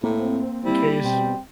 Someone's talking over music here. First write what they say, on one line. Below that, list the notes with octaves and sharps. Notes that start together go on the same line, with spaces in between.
in case.
A2 A#3 C4
G3 E4
B2 C4